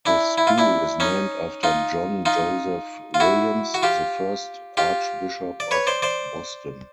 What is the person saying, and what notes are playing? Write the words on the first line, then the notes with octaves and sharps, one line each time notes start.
The school is named after John Joseph Williams, the first Archbishop of Boston.
D4 E4
E4
F4
D4 E4
C#4 D#4
D#4 F4
D#4 F4
F4
E4 F#4
F#4
F4 G4
F4 G4
D5
B4 C#5
C5 D5
C5 D5